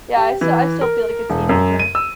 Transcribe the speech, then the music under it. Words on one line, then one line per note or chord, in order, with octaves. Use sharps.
Yeah. I still I still feel like a teenager.
G4
E3
A#4
E1
F#2
D#7
E6